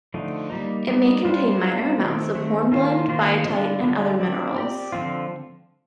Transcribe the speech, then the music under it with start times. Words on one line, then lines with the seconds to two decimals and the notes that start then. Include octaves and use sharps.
It may contain minor amounts of hornblende, biotite and other minerals.
0.14 D3 F3 A3 D#4
0.50 G3 A#3 D#4
0.88 G3 A#3 D#4
1.24 G3 D4 F4 C5
1.61 G3 D4 F4 C5
1.98 D#3 A3 C4
2.35 D#3 A3 C4
2.72 D#3 A#3 F4 C5
3.08 D#3 A#3 F4 C5
3.45 D3 G3 D4 F4
3.83 D3 G3 D4 F4
4.19 C4 G4 D5
4.56 C4 G4 D5
4.92 D3 F3 C4 F4